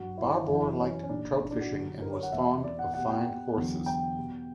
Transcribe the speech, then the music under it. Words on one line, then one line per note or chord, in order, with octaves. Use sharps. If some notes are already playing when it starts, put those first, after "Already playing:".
Barbour liked trout fishing and was fond of fine horses.
Already playing: G2 F#3 F#4
E4
F#2 E3 G3 E4
C#4
C#4
A#2 G3 D4
D4
D4
F#4
F#2 D3 G3
A#4
C#5
F#5
E2 B2 G3 E5
D5
F#5
B2 G3 F#5
G5
E2 D3 F#3
G5
B2 G3